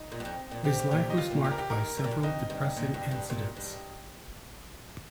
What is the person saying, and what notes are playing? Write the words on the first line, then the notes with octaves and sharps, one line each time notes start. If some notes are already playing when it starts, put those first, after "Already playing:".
His life was marked by several depressing incidents.
Already playing: D#4
A#2
G2
F2
A#2
C3 G4
C3
A#2 G4
D#4
G2 F4
A#2
G2 G4
A#4
G4
D#3 A#4
G2
A#2
G2
F2 D#4
G2
A#2
G2
G2
A#2
G2